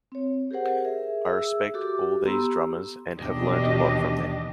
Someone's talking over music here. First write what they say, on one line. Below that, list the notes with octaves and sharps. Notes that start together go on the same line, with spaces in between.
I respect all these drummers and have learnt a lot from them.
C4 C#5
G4 G#4 A#4 C5 F#5
G#4 A#4 E5
G#4 E5 E6
F#4 G4 A4 D6
B3 G4 A#5 C6 E6
D#2 B2 E3 D4 G4 D#5